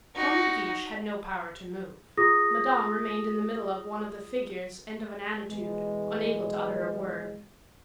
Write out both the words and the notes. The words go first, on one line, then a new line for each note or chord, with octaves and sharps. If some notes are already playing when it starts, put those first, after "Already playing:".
The Comte de Guiche had no power to move; Madame remained in the middle of one of the figures and of an attitude, unable to utter a word.
D#4 F#4
F4 G#4 D#6 A#6
B2 E3 G#3